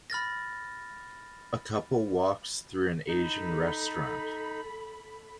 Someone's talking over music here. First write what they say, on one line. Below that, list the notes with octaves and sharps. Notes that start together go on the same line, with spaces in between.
A couple walks through an Asian restaurant.
B5 F6 A6 A#6
D#4 A4 B5